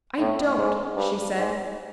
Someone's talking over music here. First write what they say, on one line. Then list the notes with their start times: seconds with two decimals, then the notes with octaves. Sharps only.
"I don't," she said.
0.19 A2
0.57 G#2
0.96 G2
1.36 G#2